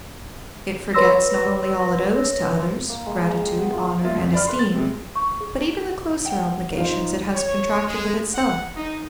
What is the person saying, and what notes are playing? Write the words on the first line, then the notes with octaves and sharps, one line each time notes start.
It forgets not only all it owes to others,--gratitude, honor, and esteem,--but even the closer obligations it has contracted with itself.
B4 C#5 C6 E6 A#6
A#3
G#3
B4
G5
B3
F4
A#3 F4 E5
F2
D5 B5 F6
B4 C6
A6
C3 G3 G#3
C#6
G#4
F#5 G5
D#4 F4 C5 F5
C#5
G#3
F#5
D#4